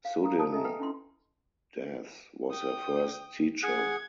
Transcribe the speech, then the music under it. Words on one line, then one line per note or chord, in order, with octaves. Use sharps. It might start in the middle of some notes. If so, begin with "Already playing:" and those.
Sudhin Das was her first teacher.
F5
A#5 D#6
A5 D#6
A4 D#5 E5 G#5 A#5
B4 G5
C#4 E4 F4 C6
G5 D#6
G#4 F#5 G#6